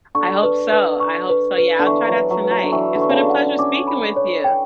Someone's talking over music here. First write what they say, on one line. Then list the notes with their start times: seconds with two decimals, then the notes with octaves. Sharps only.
I hope so I hope so. Yeah, I'll try that tonight. It's been a pleasure speaking with you.
0.15 D3 C#6
0.43 B4
0.72 B4
1.00 C#6
1.29 B4
1.58 B4
1.79 D3
1.87 E3 C#6
2.08 F#3
2.15 B4
2.30 F#3
2.44 B4
2.51 F#3
2.63 D3
2.72 E3 C#6
2.95 D3
3.02 C#6
3.10 C#3
3.16 D3
3.30 F#5
3.59 C#4 D6
3.87 B5
4.16 C#5
4.44 G5